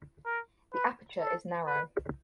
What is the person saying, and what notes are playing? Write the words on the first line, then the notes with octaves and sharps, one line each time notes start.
The aperture is narrow.
A#4
B4
A4
B4